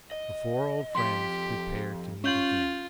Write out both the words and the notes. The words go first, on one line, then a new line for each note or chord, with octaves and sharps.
The four old Friends prepare to meet again.
D#5
F2 G4 C6 B6
C#4 F4 G6 F#7